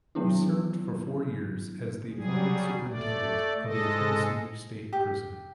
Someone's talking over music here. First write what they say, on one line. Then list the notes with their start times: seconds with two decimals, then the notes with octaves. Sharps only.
He served for four years as the appointed superintendent of a Tennessee state prison.
0.15 D#3 F#3 A3 B3 D4 E4
2.12 F#3 G3 G#4
2.88 A3 D5
3.63 G#2 G#3 A4 D#5
4.93 G4